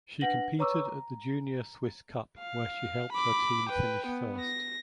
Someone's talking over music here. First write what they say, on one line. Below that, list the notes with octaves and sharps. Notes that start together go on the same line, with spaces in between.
She competed at the junior Swiss Cup where she helped her team finish first.
D4 B4 F#5 A#6 F#7
B4 C#5 A#5 C#6 D6 E6
A#5
F5
B5 D6
B4 G5
B3
A#6